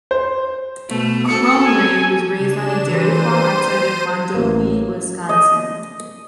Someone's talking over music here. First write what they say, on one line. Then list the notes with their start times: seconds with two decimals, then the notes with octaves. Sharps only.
Krumrie was raised on a dairy farm outside of Mondovi, Wisconsin.
0.11 C5
0.89 B2 A3
1.28 C4 F#4 A4 C#7
1.64 G#5
2.37 C#3 D4 E7
2.85 E3 C5 D#7
4.34 A1 A#3
5.29 D#5